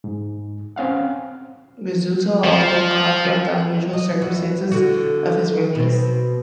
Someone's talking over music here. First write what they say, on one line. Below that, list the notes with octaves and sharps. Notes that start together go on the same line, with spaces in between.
Rizzuto often talked about the unusual circumstances of his release.
G#2
C4 C#4 F5 F#5
F3
D#5
E2 F#4
D3 F#4
B2 C4